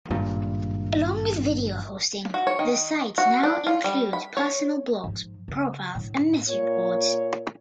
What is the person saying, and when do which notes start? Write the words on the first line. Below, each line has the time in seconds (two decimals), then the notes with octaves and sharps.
Along with video hosting, the site now includes personal blogs, profiles and message boards.
0.10 G#1 G2 A#2
2.34 F#4
2.47 C#5
2.59 D#3
3.18 F#4
3.43 D4
3.67 F4
3.84 G3
4.13 B5
4.37 C#5
5.04 G#2 F3
5.48 C#3
5.95 A2 D3
6.47 A#2 C#5